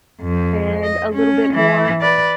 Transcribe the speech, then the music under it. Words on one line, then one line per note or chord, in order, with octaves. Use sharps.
and a little bit more,
F2
D#5
C#4
E3
B4 D5